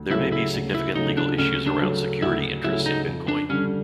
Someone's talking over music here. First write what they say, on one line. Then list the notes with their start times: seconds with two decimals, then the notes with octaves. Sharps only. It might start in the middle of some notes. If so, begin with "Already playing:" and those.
There may be significant legal issues around security interests in Bitcoin.
Already playing: D2
0.11 C#3 F#3 A3 E4
0.32 E4
0.54 D2
0.75 E4
0.95 C#3 F#3 A3 D#4
1.17 D4
1.38 D2 C#4
1.67 D4
1.80 C#3 F#3 A3
2.22 D2 E4
2.64 C#3 F#3 A3 E4
2.86 D#4
3.07 F2
3.28 D4
3.49 D3 G3 C#4